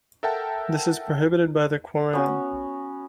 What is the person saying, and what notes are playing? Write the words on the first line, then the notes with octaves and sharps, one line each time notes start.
This is prohibited by the Quran.
A4 A#4 E5 F#5 G5 A5
B3 C#4 F#4